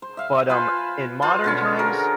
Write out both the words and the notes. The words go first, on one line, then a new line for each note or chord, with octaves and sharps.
But, um, in modern times,
C5
E5 F5
F4 B4 C5 G#5
F4 B4 C5 A5
B2 D3 C#4
F#4 G#4 A#4